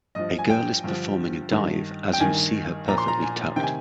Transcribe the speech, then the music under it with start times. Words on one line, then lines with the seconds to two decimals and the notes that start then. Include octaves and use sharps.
A girl is performing a dive as you see her perfectly tucked.
0.15 G2 F3 D#5
0.38 G#5
0.50 G5
0.84 G2 D3 F3
1.52 G2 D#3
2.13 G5
2.20 G2 D#3 G#5
2.88 A#2 F3 A#5
2.98 C6
3.08 A#5
3.23 G#5
3.56 C3 D#3 G5
3.63 G#5